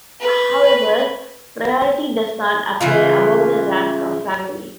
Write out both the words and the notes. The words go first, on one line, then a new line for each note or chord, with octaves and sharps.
However, priority does not apply above the rank of family.
B4
C#3 E3 F4